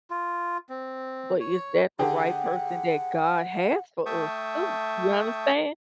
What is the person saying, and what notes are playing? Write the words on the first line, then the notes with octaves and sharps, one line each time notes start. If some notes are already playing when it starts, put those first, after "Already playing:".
but is that the right person that God has for us too? You understand?
F4
C4
C#5
D3 G4 G#4 F#5
A3 E5 G5 A5 C#6 D#6